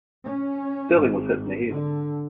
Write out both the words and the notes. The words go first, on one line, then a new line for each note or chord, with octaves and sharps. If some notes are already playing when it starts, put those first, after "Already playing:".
Sterling was hit in the head.
C#4
G#1
D3